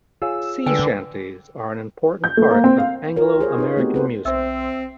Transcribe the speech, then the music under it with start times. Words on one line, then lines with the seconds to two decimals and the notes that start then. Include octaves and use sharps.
Sea shanties are an important part of Anglo-American music.
0.22 F4 G#4 C#5 E6
0.66 D3 B4 G5 G#5
2.24 G6
2.37 A3
2.50 A#3
2.64 C4
2.78 F5
3.16 F4 A#4 C#5
3.39 G4 G#4 C5 C#5
3.58 D#4 B4 C#5
3.77 A3 B3 C4 F#4 G4
3.94 A4 B4 C5
4.25 B1 C4 C5 E5 E6